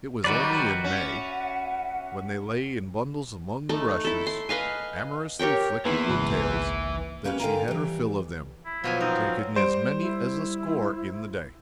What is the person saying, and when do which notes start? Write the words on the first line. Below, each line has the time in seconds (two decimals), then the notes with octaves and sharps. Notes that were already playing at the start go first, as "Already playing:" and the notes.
It was only in May, when they lay in bundles among the rushes, amorously flicking their tails, that she had her fill of them, taking as many as a score in the day.
0.24 D#3 F#3 G3 F#4 B4 D5
0.84 C#4 E5 F#5
3.69 A3 D#4
4.04 E4 A4
4.27 C6
4.49 B4 D#5 F5 G#5
5.39 G4 A#4 C#5 G5
5.85 E2 E3 A#3 B3 D#4 C7
6.09 G#1 C#2 B4
7.24 G3 A#3 C#4 B4 F5
7.40 D3 A#4 F5 G5 G#5 A#5
7.68 E3 G3
8.65 E4
8.84 B2 F3 F#3 G#5
9.00 C4 D#4 A#4
9.56 G3 C5 D7
9.99 E4